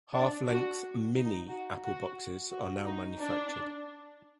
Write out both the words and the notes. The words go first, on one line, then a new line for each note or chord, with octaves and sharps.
Half length "Mini" apple boxes are now manufactured.
D4
F#4
D#4
F#4
F#4
F#4
D#4
D4